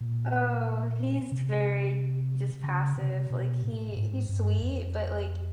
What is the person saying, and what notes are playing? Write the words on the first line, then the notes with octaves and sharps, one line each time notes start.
So, he's very just passive, like, he he's sweet, but, like,
A#2
C3
C#3
C3
B2
A2
G#2
G2
F2